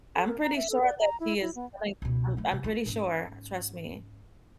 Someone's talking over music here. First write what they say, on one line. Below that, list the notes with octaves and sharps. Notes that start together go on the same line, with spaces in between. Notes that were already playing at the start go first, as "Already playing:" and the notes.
I'm pretty sure that she is telling Um, I'm pretty sure, trust me.
A4
A#4
A#5
E5
A4
D5
A#5
E4
E4
B3
C#2 B2
F3 A3
C3
E4 F4
G#2 C#4